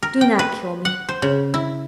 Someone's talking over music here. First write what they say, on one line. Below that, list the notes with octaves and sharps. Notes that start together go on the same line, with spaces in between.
Do not kill me.
A#4
G5
B4
F#5
C5
C#3
E4